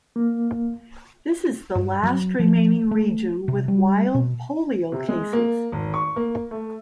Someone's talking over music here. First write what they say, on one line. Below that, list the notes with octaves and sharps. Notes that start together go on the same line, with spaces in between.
This is the last remaining region with wild polio cases.
A#3
G2
F#3
F3
A3
C3
G3
B2
C3
G#3
A#3
G#1
C#6
A#3
A3